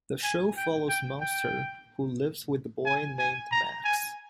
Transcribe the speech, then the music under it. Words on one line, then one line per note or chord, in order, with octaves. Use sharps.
The show follows Monster who lives with a boy named Max.
G#5
G5
G5
G5
G#5
G#5
A#5
G#5